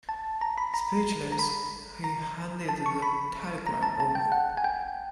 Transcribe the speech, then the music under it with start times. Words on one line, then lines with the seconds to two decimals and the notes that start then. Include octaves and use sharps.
Speechless, he handed the telegram over.
0.09 A5
0.41 A#5
0.58 B5
0.74 A#5
1.32 A#5
1.39 B5
2.04 A#5
2.69 A5
2.86 C#6
3.02 B5
3.66 A#5
3.83 A5
4.00 A5
4.15 G5
4.32 F#5
4.57 G#5
4.64 G5